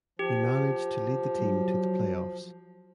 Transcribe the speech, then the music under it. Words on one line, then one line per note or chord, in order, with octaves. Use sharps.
He managed to lead the team to the playoffs.
F3 G4
F#3